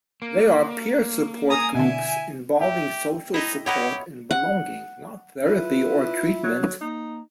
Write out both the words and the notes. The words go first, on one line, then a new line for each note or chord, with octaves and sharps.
They are peer support groups, involving social support and belonging, not therapy or treatment.
A#3
G#5 A#5 D#6
B2 D3 E4
G4 E5 G5
D#4 E4 D#5
E4 G4 C#5 D#5 F5 F#5 A#5
F#5
E4 F4 B4
F#3
A#3 D#4